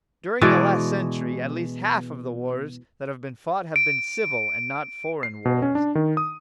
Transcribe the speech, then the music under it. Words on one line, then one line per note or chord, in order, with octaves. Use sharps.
During the last century at least half of the wars that have been fought have been civil and not foreign wars.
B2 E3 G#3 D5
D7
C7
B2
C#4
D4
D#3
D#6